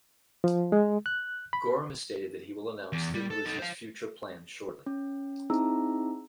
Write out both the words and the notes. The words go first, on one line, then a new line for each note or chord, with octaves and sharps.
Gorham has stated that he will announce Thin Lizzy's future plans shortly.
F3
G#3
F#6
B5
E2
G3
A4
D#4 A4
C5 F5
C#4
C4 D#4 E4 G#4 A#5 E6